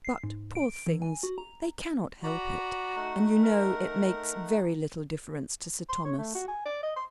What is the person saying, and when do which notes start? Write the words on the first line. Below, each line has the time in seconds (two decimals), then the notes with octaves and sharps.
But, poor things! they cannot help it; and you know it makes very little difference to Sir Thomas.
0.05 C7
0.24 G#2
0.55 D7
0.87 E3
1.02 G#5
1.23 F#4
1.38 A#5
2.24 F#4 D5 A#5 B5
2.96 A3 D#4 F#5
3.44 A#4
5.89 C6
6.04 C#5
6.18 A3
6.35 F#4
6.48 G#5
6.65 D5
6.83 D#5
6.96 C6